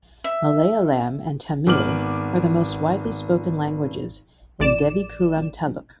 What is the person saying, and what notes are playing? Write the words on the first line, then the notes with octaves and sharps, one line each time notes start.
Malayalam and Tamil are the most widely spoken languages in Devikulam taluk.
E5
G#1 B3 D6 F6 F#7
A1 D5 E7